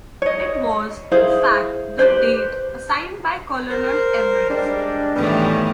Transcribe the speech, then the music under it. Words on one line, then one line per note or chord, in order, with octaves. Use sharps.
It was, in fact, the date assigned by Colonel Everest.
C#5 D#5
E4 G#4 C5 F5
G4 B4 C5
A#4 C5
G3 G#3 D4
A2 D#3 E3 G3 B3